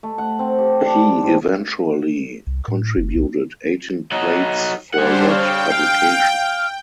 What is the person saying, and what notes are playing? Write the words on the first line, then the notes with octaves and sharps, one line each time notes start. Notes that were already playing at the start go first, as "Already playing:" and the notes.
He eventually contributed eighteen plates for that publication.
A3
F#5
C4
G4
D4
A3
G#2
C2
A2
F#1
B1
F#3 D#4
G3 D4 G#4 C5 F#5
C#5 F5 G5
F5